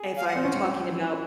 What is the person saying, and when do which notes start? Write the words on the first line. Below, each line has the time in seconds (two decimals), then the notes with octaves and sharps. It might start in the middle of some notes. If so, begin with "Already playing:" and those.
if I'm talking about
Already playing: G#4
0.17 F5
0.28 F#5
0.35 C4
0.45 C#4